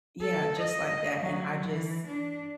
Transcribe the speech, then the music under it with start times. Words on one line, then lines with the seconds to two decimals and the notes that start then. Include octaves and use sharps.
yeah, just like that, and I just
0.21 A4
0.60 D#5
1.20 F#3
1.67 E3
2.07 D4